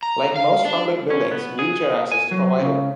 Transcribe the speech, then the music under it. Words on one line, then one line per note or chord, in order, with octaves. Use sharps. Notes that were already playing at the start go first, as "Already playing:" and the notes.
Like most public buildings wheelchair access is provided.
A#5
F5
D4
C#4
B3
G#4
G#5
F#3
C#3